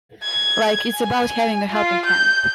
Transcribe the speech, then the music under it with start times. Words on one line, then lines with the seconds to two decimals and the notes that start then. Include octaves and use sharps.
Like it's about having a helping hand.
0.23 G#6
0.96 G#5
1.71 F4
2.06 G6